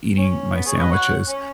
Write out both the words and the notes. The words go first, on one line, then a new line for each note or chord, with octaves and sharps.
eating my sandwiches?
C#4
B3
G#4 C#5
B4 D#5
C#5 F#5
C#4